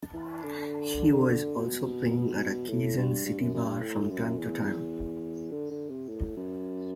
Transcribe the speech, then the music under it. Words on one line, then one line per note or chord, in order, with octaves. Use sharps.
He was also playing at a Quezon City bar from time to time.
E3
D3
B2
A2
G2
G2
F#2
F#2
G2
A2
F#2
E2
D3
D3
C3
A2
F#2